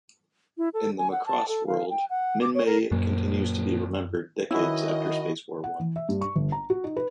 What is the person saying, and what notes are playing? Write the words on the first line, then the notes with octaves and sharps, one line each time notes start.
In the "Macross" world, Minmay continues to be remembered decades after Space War One.
E4
A4
G#5
F#5
A5
A4
F5
G5
F#5
D6
C#5
A#4
F#2 A#2 F#3 A#3
D#3 C#4 E4 F#4 B4 D#5
F#5
E3
E5
G2
C#6
G1
A#5
F#4
D#4
B4